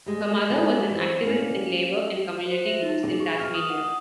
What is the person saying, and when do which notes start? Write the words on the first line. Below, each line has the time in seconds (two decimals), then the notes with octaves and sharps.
Her mother was an activist in Labor and community groups in Tasmania.
0.06 G3 G#3
0.49 F3 G#3 A#3 E4 F#4 A4
0.90 E3 C4
1.22 A#3 B3 C#4
2.46 C5
2.66 E5
2.82 D#4
3.03 G#4
3.20 C#6
3.40 F6
3.54 D#6
3.70 F#5
3.84 D#6